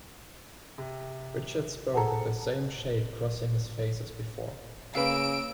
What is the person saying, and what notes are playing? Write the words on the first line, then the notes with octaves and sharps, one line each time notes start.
Richard spoke with the same shade crossing his face as before.
C3
G#4 A4 F#5 A5 A#5
C#3 A#3 B4 F5 E6 D7